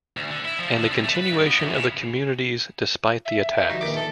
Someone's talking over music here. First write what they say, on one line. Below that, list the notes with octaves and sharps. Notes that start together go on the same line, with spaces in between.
And the continuation of the communities despite the attacks.
D2
D3
E4
F3
D3
C2
A3
B4
G2
B3
F#2
C#3
E5
A#4 G5
F3 G3 D#4 F#4
G2 A#2 D#3 D6
D#3 A4